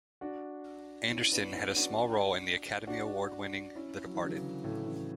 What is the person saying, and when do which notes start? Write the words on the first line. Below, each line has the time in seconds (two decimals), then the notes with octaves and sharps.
Anderson had a small role in the Academy Award-winning "The Departed".
0.21 D4 F#4
1.10 C#4 E4
1.32 B3 D4
1.54 C#4 E4
1.76 D4 F#4
2.87 D4 F#4
3.75 C#4 E4
4.06 F#3
4.14 E3
4.25 D3 F#3
4.34 C#3 E3
4.64 A2 C#3
4.86 C#3 E3